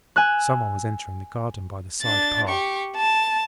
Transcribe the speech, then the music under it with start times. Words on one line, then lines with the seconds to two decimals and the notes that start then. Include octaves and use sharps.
Someone was entering the garden by the side path.
0.16 G#5 E6 F#6
2.03 D4 A6
2.47 G4 C#6
2.96 A5